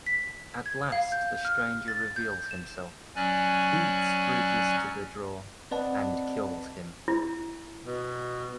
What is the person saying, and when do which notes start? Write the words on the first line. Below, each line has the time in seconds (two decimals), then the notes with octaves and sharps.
At last the Stranger reveals himself, beats Bridges to the draw, and kills him.
0.06 B6
0.66 G#6
0.92 F5
1.12 G6
1.45 F6
1.88 A6
2.16 G6
2.51 E7
3.16 F#3 C#4 D5 G#5 F#6
5.71 C4 B4 D5 D#5 F#5 A5
7.08 E4
7.85 B2